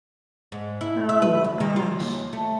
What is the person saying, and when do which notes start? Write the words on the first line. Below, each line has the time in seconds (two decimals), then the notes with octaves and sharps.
Oh my gosh.
0.52 G#2
0.81 E4
1.09 E5
1.22 B4
1.44 D2
1.60 D#3
1.76 F4
2.00 D#2
2.33 A3